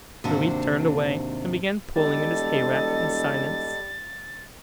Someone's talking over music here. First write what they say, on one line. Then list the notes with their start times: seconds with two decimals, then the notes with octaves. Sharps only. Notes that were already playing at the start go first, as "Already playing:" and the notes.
Ruby turned away, and began pulling at his hayrack in silence.
0.24 D#2 G#2 C3 D4 F#4 C5
1.96 E1 G3 A4 D#5 A5 A6